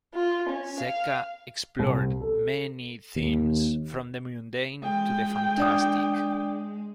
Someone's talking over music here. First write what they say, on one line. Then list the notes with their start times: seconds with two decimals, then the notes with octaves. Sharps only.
Zecca explored many themes from the mundane to the fantastic.
0.14 F4
0.50 C#4
0.80 F5
1.79 C2
2.21 A4
3.16 D#2
4.83 G#3 G5
5.58 D4 D5 D#6